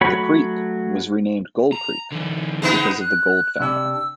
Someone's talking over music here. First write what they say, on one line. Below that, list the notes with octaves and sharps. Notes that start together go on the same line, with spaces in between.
The creek was renamed "Gold Creek" because of the gold found there.
F#3 A3 F#4 C#5 B5
A#5
D3 E3
G#3 B3 D#4
F#6
C3 D4 G4 E6